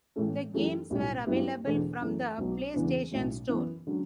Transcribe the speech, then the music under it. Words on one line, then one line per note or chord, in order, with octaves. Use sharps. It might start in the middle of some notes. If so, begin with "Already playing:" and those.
The games were available from the PlayStation Store.
A2 E3 A3 C#4
F#2 E3 A3 E4 G4
B1 A2 G3 C#4
G2 F#3 B3 E4 G4
E1 E2 D3 A3 D4
F#2 E3 A3
B1 B2 F#3 B3
E2 C#3 E3 B3 D4
B1 A2 F#3 C#4
F#2 E3 B3
D3 F#3 C#4